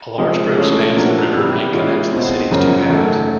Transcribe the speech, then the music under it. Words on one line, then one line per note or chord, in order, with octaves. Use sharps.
A large bridge spans the river and connects the city's two halves.
C3 F3 G#3
E3 A3 C#4 F4 G#4
A#2 F3 A#3 D4 F#4
C3 E3 G3 B3
E3 G#3 C#4 F4 G#4
B2 G#3 C4
F#2 C#3 F3 A#3 C#4
F#2 D#3 F#3 A3